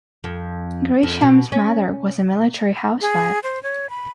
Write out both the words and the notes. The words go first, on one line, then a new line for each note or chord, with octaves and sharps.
Grisham's mother was a military housewife.
F2
F2
B2
C#4
G#4
C5
C#5
B5